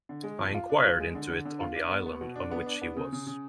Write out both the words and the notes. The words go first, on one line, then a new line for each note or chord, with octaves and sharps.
I inquired into it on the island on which he was.
D3
G#3
F2
F4
D4
F4
G#3
D3
D3
D3
F4
D4
B3
B3
B2
D4
B3
D4
B3
C#3
C#3
C#3